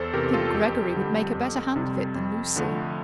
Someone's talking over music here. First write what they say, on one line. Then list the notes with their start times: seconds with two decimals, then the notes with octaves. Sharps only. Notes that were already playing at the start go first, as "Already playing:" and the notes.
"I think Gregory would make a better hand of it than Lucy."
Already playing: E2 A4 C5
0.14 C3 E3 G4 A#4
0.34 F4 A4
0.54 F2 G4
0.94 D3 G3
1.35 F2
1.76 C3 G3
2.15 F2
2.56 D3 F3 A3